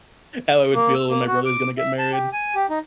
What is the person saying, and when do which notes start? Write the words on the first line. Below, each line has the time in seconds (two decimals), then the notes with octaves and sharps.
how I would feel when my brother is gonna get married.
0.74 A#3
0.95 E6
1.10 A#3
1.27 F#4
1.45 D6
1.78 E5
1.99 A5
2.12 G4
2.33 G#5
2.55 G4
2.70 D#4